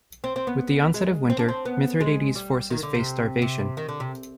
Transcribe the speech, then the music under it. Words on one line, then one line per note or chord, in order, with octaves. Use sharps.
With the onset of winter, Mithridates's forces faced starvation.
C4
C4
B3
G#3
C4
D4
C4
B3
G#3
G3
D#3
D3
C3
C3
D#3
D3
C3